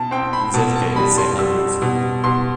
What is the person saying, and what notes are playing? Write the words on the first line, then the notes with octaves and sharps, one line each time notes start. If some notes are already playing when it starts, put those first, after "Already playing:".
He was educated at Saint Andrews.
Already playing: B2 A5
C4 G5
B5
B2 A5
A5
G3 B5
C6
G3 E6
B2
B2 C6